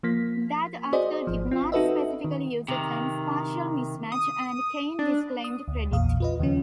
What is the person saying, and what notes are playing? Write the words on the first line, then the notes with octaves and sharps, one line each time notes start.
That article did not specifically use the term "spatial mismatch", and Kain disclaimed credit.
F3 A#3 B6
F#4 G#4 C5 D5 D#5
G#1 F3
C4 F4
D#4 F#4 A4 B4 D#5 E5
D#3
C3 D#3
D#6
D4
D#6
D2
A#1 E2 A#2 F5 D#6
F4 B4 D#5
D#2 C#3 F3 C#4